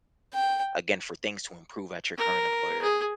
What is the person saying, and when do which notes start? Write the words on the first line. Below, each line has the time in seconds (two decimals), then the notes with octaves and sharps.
again, for things to improve at your current employer,
0.33 G5
2.18 A#4
2.82 G#4